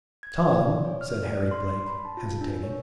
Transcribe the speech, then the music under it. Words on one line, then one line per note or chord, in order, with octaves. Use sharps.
"Tom," said Harry Blake, hesitating.
G#6
D5
C#5
F6
D5
C6
B5
A5
F4
D4
C#5